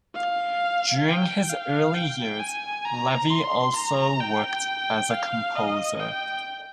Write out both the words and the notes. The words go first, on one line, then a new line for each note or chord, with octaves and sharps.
During his early years, Levi also worked as a composer.
F5
G5
F5
G5
G#5
A#5
C6
A#5
G5
F5
D#5
G5